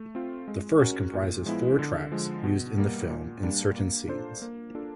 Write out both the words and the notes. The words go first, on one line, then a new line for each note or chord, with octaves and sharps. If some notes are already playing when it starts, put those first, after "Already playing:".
The first comprises four tracks used in the film in certain scenes.
Already playing: A3
C4 F4
G#3
C#4 F#4 A#4
A#2
F3 G#3 B3 E4
D3
F3 G#3
B2
G3 A#3
A#2
G3 A#3 D4
A#3
D4 F4 A4 C5
A#3
D4 F4 A4